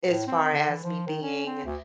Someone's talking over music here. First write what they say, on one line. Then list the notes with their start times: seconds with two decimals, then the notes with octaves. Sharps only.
as far as me being,
0.08 A2
0.28 C4
0.53 D3
0.69 E3
0.83 F3
1.07 D#3
1.22 C#4
1.46 C4
1.65 D2